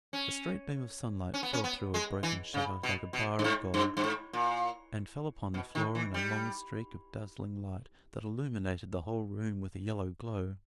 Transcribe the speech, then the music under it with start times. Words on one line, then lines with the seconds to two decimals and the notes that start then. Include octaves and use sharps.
A straight beam of sunlight fell through a broken shutter like a bar of gold, and fell upon the floor in a long streak of dazzling light that illuminated the whole room with a yellow glow.
0.13 C#4
1.34 C#4
1.43 B3
1.53 C#4
1.64 B3
1.94 G#3
2.23 E3
2.54 C#3
2.83 B2
3.13 B2
3.39 G2
3.44 G#2
3.74 G2
3.97 G2
4.04 G#2
4.33 A#2
5.54 B2
5.75 D#3
5.95 E3
6.14 G3